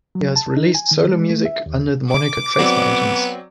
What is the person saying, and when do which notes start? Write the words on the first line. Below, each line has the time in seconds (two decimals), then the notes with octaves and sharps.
He has released solo music under the moniker Trace Mountains.
0.15 F#3
0.36 A5
0.57 D#4
0.75 G#5
0.91 D#3
1.13 G#3
1.30 A3
1.45 E5
1.66 D#2
2.11 D6
2.59 F#3 B3 C4 D5